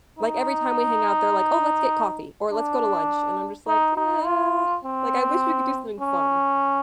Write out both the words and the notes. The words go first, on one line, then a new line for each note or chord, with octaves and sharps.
Like, every time we hang out, they're like, "Oh, let's get coffee," or, "Let's go to lunch." And I'm just like, "Yeah." Like, I wish we could do something fun.
D#4
D4
D#4
D#4
F4
C4
C#4